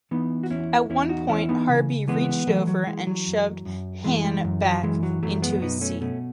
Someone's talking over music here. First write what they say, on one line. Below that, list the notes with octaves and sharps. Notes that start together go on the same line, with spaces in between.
At one point, Harby "reached over" and shoved Hahn back into his seat.
E3 B3 D#4
F#4
E2 C#4 E4
E2 C#4 E4
D#4 F#4
E3 C#4 E4
B3 D#4
C#3
E3 G#3 B3
E3 F#3 A3
F#3
E3 G#3
F#3
F#2
F#2
E3 G#3
G#3
F#2
F#3
E3 G#3
F#3
F#2 F#3 A3
G#3 B3
B2 B3 D#4
A3 C#4
B2 A3 C#4